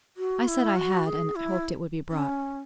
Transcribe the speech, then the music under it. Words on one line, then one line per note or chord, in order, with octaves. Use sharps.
I said I had, and hoped it would be brought.
F#4
E4
F#4
G#4
E4
C#4